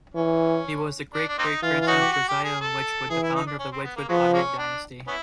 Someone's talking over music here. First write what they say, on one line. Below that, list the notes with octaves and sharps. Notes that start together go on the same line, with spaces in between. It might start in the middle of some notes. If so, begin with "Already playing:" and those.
He was the great-great-grandson of Josiah Wedgwood, the founder of the Wedgwood pottery dynasty.
E3 C#4
D4
D4
A#3 C4 D#4
E3 F4
F4
C#4 D#4 F#4
G4
F#4
G4
G#4
A4
E3 G#4
E4
D#4
D4
C#4
C4
B3
A#3
F3 F#3 G#3 B3
G#3 A#3 C#4
D4
B3 C#4 E4